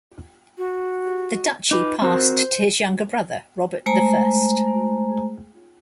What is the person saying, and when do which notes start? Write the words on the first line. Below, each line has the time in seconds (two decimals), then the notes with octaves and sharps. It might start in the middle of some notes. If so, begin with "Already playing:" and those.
The duchy passed to his younger brother Robert the First.
0.58 F#4
1.71 D#4 B4 D6
2.02 C4 F#4 A#4 C5
3.86 G#3 A3 C5 G#5 A#5